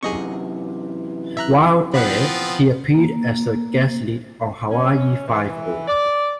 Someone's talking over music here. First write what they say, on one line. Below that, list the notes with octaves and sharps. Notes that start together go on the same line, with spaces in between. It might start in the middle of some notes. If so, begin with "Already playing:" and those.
While there, he appeared as a guest lead on "Hawaii Five-O".
F#2 C3 E3 G#4 D#5 C#6
E5 A#5 F#6
F3 B3 C4 F#5 B5
A#3
C#4
E3
D5